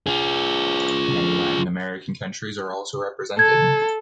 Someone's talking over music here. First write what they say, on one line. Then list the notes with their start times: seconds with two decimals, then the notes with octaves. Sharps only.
Many Latin American countries are also represented.
0.07 F4 G#4
3.39 A4 G#6